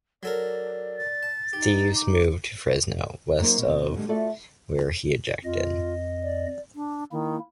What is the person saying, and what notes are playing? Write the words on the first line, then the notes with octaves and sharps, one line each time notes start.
Steeves moved to Fresno, west of where he ejected.
F#3 A4 A#4 D5
A6
A5
D#4 G4
D6
F#3 A#3 D#4 C5
B2 C4
D3 G3 G#3
A3 F4 F#4 A4 D5 E5
F2 F4 D#5
D5
D4
D#3 A#3 E4